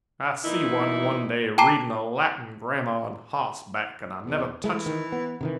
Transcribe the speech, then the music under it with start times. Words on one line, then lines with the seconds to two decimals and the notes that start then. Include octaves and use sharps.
I see one, one day, reading a Latin grammar on hossback, and I never touched him!
0.45 A#2 E3 D#4 E4
1.58 G5 A5 A#5 D6 C7
4.26 E2
4.64 E3 G#3 A3
4.86 D#3
5.12 B3
5.41 C3 D#3 E3